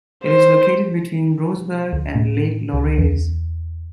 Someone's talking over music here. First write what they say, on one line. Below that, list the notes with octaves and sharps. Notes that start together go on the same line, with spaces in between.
It is located between Rossberg and Lake Lauerz.
C5
D2
A2
C#2
E2